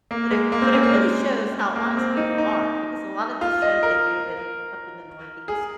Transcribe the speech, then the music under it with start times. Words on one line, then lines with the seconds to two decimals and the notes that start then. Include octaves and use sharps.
But it but it really shows how honest people are because a lot of these shows they do with up in the Northeast
0.11 A#3
0.31 G#3
0.52 A#3
0.62 C4
0.73 C#4
0.83 A#3
0.94 G#3
1.75 A#3
1.97 C4
2.17 D#4
2.38 D#4
3.41 F4
3.62 D#5
3.83 A#4
5.48 G#4